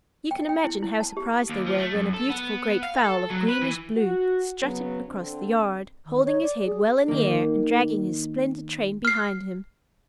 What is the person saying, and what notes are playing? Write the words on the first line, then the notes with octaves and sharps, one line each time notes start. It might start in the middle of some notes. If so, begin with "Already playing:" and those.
You can imagine how surprised they were when a beautiful great fowl of greenish-blue strutted across the yard, holding his head well in the air and dragging his splendid train behind him.
G5
G5
E4
E4
A5
G4
D#2
F3
A3
F#2
A4
B3
F5
A4
F#3
B4
E3
F#4
C#3 F#3 B3
D3 C4
D#3
C#5
D5
G#4
D#3 A#3
F6 C7